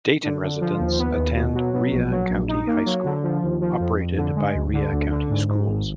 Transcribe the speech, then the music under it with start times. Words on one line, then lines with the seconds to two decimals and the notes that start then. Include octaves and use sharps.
Dayton residents attend Rhea County High School, operated by Rhea County Schools.
0.23 D3
0.42 D3
0.61 F3
0.79 D#2
0.98 B3
1.17 D#2
1.35 B2
1.54 F#3
1.73 B2
1.91 A#1
2.11 F#3
2.29 A#1
2.48 D#4
2.67 A#3
2.85 F#3
3.05 D3
3.23 F3
3.42 D#2
3.61 F3
3.80 F2
3.98 F2
4.17 D3
4.36 G#3
4.55 D2
4.73 D3
4.92 D2
5.10 D3
5.30 G#2
5.48 G#2
5.67 G#1